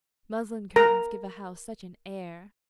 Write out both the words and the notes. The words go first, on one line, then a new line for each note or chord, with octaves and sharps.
Muslin curtains give a house such an air.
A#4 A#5